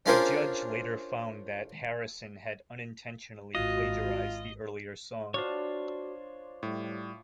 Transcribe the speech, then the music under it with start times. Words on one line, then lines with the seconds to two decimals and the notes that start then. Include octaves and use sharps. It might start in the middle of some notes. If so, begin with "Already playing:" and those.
A judge later found that Harrison had unintentionally plagiarized the earlier song.
0.06 C#4 D4 F4 G#4 A#4 C5
3.55 G#1 F4 F#4 D#5
5.34 D4 F4 F#4 C5 C#5
6.63 A2 G3